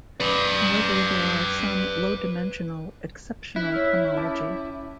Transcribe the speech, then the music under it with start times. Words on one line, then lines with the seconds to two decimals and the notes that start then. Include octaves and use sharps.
However, there are some low-dimensional exceptional homology.
0.20 B4 D5
3.56 E4 F#6
3.72 C#5 E6 F6
4.17 C#4 A5 D6